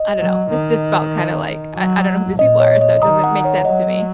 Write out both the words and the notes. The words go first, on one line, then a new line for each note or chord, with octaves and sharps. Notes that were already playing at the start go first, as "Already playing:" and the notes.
I don't know, it just felt kind of like, I I don't know who these people are, so it doesn't make sense to me.
Already playing: D#5
F#3
D#3
F#3
A#2 D#5
C#5
D#5
D#3 A#5 D#6
F#5 A#5
C#5 F#5
F#3 D#5